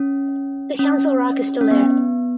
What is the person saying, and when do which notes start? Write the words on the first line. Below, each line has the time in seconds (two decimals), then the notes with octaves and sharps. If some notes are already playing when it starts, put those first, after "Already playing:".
The Council Rock is still there.
Already playing: C#4
0.79 C#4
1.61 C#4
1.71 B3